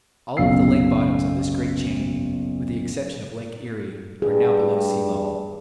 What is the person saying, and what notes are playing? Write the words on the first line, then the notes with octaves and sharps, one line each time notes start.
All of the lake bottoms of this great chain, with the exception of Lake Erie, are now below sea-level.
F#1 B1 F5 E6 C7
G2 G#4